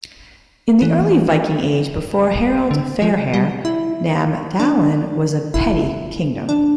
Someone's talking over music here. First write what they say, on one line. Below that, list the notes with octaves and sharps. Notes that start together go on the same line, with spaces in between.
In the early Viking Age, before Harald Fairhair, Namdalen was a petty kingdom.
E3
D3
F3
G3
E4
D4
E4
D4